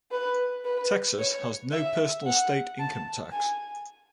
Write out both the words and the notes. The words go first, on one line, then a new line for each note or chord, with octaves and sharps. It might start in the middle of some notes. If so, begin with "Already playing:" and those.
Texas has no personal state income tax.
B4
B4
C#5
E5
F#5
A5
G#5